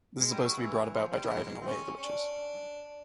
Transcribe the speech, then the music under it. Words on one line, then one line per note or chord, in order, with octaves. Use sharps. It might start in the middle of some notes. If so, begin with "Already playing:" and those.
This is supposed to be brought about by driving away the witches.
G#3
G3
F#3
E3
F3
G3
G3
G#3
C4
C#4
C#4
D4